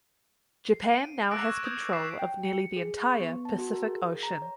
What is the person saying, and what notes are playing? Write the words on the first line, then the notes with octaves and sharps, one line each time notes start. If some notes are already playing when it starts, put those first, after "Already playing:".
Japan now has control of nearly the entire Pacific Ocean.
C7
D7 D#7
D6 E6 F#6 A6 A#6 D7
C#6 G#6 E7
D#6 G6 G#6
A6 B6 C7 E7
G5
C#7
G#4
C#6
B3
A5
F#4
A#4
G#4
A#5
C#5